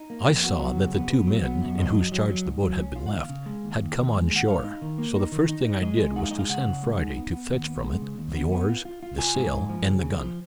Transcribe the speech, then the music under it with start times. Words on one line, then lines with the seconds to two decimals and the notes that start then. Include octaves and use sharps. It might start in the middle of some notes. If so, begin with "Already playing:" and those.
I saw that the two men, in whose charge the boat had been left, had come on shore; so the first thing I did was to send Friday to fetch from it the oars, the sail, and the gun.
Already playing: D#4
0.10 A#3
0.26 F2
0.43 B3 F#4
0.60 F#3
0.77 C#3
0.94 B3
1.11 B3
1.27 F#3
1.44 B3
1.62 F#2
1.78 C#4 D#5
1.95 F#3
2.12 F#3
2.28 F#3
2.45 G#2
2.63 F#3
2.78 C#4
2.96 F4
3.06 F#5
3.13 D#2 F5
3.30 C#3
3.46 G#3
3.64 D#2
3.80 D#2
3.97 D#2
4.13 G#3
4.31 D#2
4.36 F#5
4.47 G#2 F5
4.64 D#4
4.82 D#3
4.98 A#3
5.15 D#4
5.32 D#3
5.49 D#4
5.65 D#4
5.82 G#3 D#5
5.99 G#3
6.16 D#4 F#5
6.24 F5
6.31 G#3 D#5
6.39 F5
6.49 C#3 F#5
6.66 C#3
6.83 G#3
7.00 D#4
7.17 B3
7.33 B3
7.51 D#2
7.67 B3
7.84 G#3
8.01 C#3
8.18 D#2
8.34 B3
8.52 B3
8.69 F4
8.85 F4
9.03 F4
9.19 F4 G#5
9.35 G#2
9.53 G#2
9.69 F3
9.87 C#3
10.03 C#3
10.20 F3